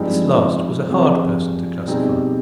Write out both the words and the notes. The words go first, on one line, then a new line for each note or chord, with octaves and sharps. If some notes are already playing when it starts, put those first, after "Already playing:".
This last was a hard person to classify.
Already playing: G2 F3 G#3 C4 D#4
C3 F3 C4 F4 G#4
B2 G3 C4 D#4 G#4